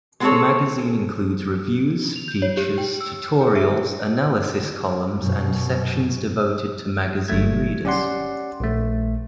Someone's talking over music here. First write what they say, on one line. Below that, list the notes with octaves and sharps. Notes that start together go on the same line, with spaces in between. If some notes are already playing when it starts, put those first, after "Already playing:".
The magazine includes reviews, features, tutorials, analysis columns and sections devoted to magazine readers.
G#3 B3 C4 G#4 A4 C#5
F7
G6
C#5
G4
G5
E6
G#4
E5
F#2 B2
G1 F#3 G3 A3 G#6
C#4 G4 D5 F#5 C6
A#1 A3